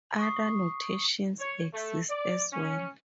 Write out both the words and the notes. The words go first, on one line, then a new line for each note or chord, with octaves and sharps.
Other notations exist as well.
C#6 D#6 C7
C#5
A3
D5
C#4